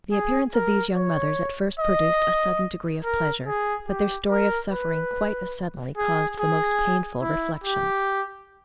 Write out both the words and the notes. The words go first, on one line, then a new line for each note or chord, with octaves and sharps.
The appearance of these young mothers at first produced a sudden degree of pleasure, but their story of suffering quite as suddenly caused the most painful reflections.
G#4
A#4
C#5
D#5
A#4
G#4
G4
A#4
B4
G#4
G#4
E4
G4